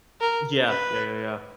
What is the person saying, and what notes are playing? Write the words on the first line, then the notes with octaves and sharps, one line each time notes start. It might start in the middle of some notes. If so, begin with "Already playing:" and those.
Yeah. Yeah, yeah, yeah.
A#4
B4